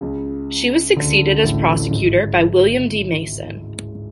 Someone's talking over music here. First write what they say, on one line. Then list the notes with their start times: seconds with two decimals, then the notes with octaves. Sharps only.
She was succeeded as prosecutor by William D. Mason.
0.01 C#2 C#3
0.96 D2 D3
1.43 A1 A2
1.90 G#1 G#2